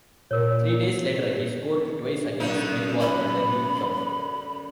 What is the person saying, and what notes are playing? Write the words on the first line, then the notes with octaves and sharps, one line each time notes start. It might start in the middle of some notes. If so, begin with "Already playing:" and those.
Three days later he scored twice against Millwall in the League Cup.
A#2 A#4 C#5
F#2 D3 D#4
B5